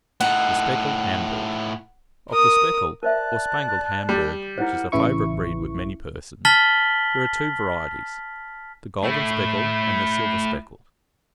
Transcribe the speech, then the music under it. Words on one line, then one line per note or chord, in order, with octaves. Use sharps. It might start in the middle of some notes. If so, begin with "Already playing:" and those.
THE SPECKLED HAMBURG.--Of the speckled, or spangled Hamburg which is a favourite breed with many persons, there are two varieties,--the golden-speckled and the silver-speckled.
A2 D#4 F#5
A#4 D#6
A#4 C5 D5 E5 A5 F#6
G3
E4 A#4 C5 F#5
A1 C#3 E3 E4 C#6
A5 F6 A6 B6 F#7 G7
A3 E4